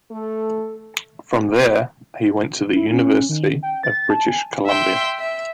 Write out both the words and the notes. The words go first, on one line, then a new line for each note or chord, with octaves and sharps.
From there he went to the University of British Columbia.
A3 A4
E4
C#4
D#3
G5
A6
A5
G#5
E5 G5 C6
E5